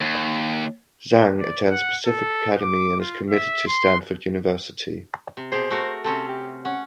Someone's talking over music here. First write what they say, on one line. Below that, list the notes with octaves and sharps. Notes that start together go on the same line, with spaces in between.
Zhang attends Pacific Academy and is committed to Stanford University.
D#2
D5
F#5
A4
D6
F4
E5
C6
C3
B2 G4 G#4 C5
A3 F#4 A#4
C3 C4 C#4 A4
G4
C#4 F#5